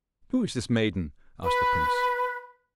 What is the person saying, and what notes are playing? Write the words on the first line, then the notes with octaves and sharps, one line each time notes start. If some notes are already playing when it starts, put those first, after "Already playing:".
"Who is this maiden?" asked the prince.
B4